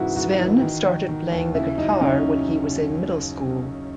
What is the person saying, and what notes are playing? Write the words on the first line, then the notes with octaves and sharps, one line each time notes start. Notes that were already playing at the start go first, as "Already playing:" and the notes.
Sven started playing the guitar when he was in middle school.
Already playing: G#2 C#3 E3 E4 F#4
G#2 F#4
E3
D#3
D#3
D#3
D#2
C#3 E4
F#2 D#4
C#3 C#4